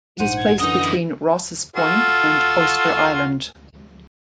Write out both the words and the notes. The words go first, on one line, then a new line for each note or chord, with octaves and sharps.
It is placed between Rosses Point and Oyster Island.
A#1 G#2 C5 F#5 D#7
G#6
F#2 D3 E3 D#4 D#5 F#5 D#6
D#4 E4
F4 F#4 A4